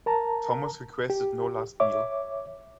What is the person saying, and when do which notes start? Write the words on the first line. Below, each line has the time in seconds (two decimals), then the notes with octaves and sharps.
Thomas requested no last meal.
0.06 A#4 A5 A#5
1.10 G4
1.80 C#5 E5 D6